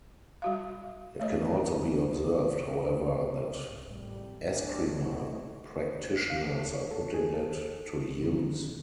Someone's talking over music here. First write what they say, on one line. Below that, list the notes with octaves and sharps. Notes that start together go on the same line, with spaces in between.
It can also be observed however that "Escrima" practitioners are putting it to use.
G3 F#4 F5
A3 C#5 D#5
D6
C2 G#2
G#1 F2 A2 G3
B1 A2 C#4 D4 G4 C#5
G3 A3 C4 E4 C#5 D#5
F5
A4
C#5
A4
G#4
A4
F2 B2 D3 D#3 F3 G3